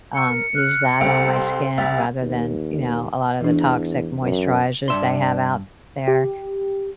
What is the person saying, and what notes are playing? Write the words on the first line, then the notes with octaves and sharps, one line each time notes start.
um, use that on my skin rather than, you know, a lot of the toxic moisturizers they have out there.
F#5 C#6 E6 C#7
A#4
F6 F#6
C2 A4 C5 D7
C6
C2 E5 A6
D#2
E2 E3 D4
F#2
G2 D4 E5 C6
G4